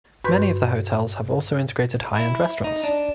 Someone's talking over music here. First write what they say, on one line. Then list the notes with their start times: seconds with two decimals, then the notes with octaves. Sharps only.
Many of the hotels have also integrated high-end restaurants.
0.24 G2 F#4 B4 C6 C#6 G6
2.15 E4
2.64 D#4
2.84 D4